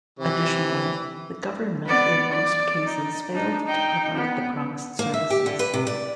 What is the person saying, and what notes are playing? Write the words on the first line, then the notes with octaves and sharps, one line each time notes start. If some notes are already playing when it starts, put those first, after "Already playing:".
Additionally, the government in most cases failed to provide the promised services.
C3 E3
B3 D5
D5
D#4
D4 D#4
D#4 G5
B3
A#3
E5
G4
D3
B4
C3
D5